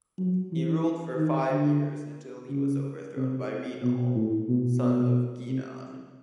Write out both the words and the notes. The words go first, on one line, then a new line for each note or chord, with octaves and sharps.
He ruled for five years, until he was overthrown by Rinnal, son of Genann.
F#3
E3
D#3
D3
C#3
C3
B2
A2
B2
B2
C3